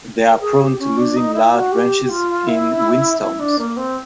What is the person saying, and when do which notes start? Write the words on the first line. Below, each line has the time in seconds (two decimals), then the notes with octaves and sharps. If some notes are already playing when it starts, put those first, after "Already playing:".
They are prone to losing large branches in windstorms.
0.23 A#4
0.41 G#4
0.60 G4
0.79 C#4
0.97 D4
1.16 D#4
1.34 E4
1.53 F#4
1.72 G4
2.09 F4
2.47 E4
3.21 E4
3.39 D4
3.59 A#3
3.77 C4